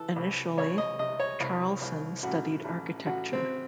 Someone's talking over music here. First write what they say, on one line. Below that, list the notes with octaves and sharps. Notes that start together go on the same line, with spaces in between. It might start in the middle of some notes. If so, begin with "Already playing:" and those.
Initially Charleson studied architecture.
Already playing: E3 A4
C2
C2 C#5
D#5
C3 D#5
C#5
C2
C2
A1 F#4
A1
A1 F#4
C4